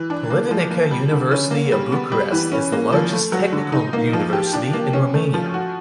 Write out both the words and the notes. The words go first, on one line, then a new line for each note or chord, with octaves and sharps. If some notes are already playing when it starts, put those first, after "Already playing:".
Politehnica University of Bucharest is the largest technical university in Romania.
Already playing: E3
D4
A#3
F3
A#3
G3
D3
C#4
A#3
G3
B3
G3
E3
C#4
A#3
F3
A3
F#3
D3
D#4
A#3
F3
G4
D4
A#3
C#4
A3
F3
F#4